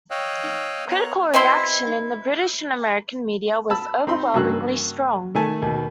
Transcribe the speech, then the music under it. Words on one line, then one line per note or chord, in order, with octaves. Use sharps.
Critical reaction in the British and American media was overwhelmingly strong.
C#5 D#5 F5 G5 E6 F#6
B3 C#5 A#5 F#6
B2 C4 E4 C6
A5 B5 E6
C4 D#4 B5 C6
G2 C#3 A#3 F#4 E6 F#6
D#3 A3 G#5 A5
D#2 B2